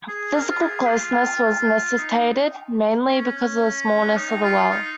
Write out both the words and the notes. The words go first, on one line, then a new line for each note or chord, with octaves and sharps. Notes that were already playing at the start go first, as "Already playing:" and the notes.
Physical closeness was necessitated mainly because of the smallness of the well.
G#4
A#4
F4
G#4
F4
D#4
C#4
D#4
F4
D#4